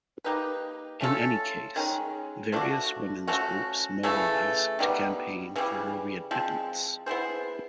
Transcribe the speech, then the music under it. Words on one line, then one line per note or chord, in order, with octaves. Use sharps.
In any case, various women's groups mobilised to campaign for her readmittance.
A#3 D#4 G4 B4
A3 C#4 F4 A4
D#3 G#3 C#4
F3 A3 D4 F#4
F3 A3 C#4 F#4
C#3 E3 A3
D#3 G3 B3
C#3 E3 G3
F3 G#3 C4
B3 E4 G#4 C5